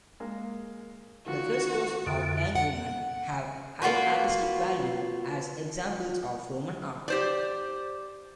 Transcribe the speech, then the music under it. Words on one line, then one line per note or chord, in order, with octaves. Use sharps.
The Frescos of young women have high artistic value as examples of Roman art.
G#3 A#3
D#3 F3 F#4
F2 D3 F3 D#6
F#5
A#3 F4 F#4 B4
G4 C5 D5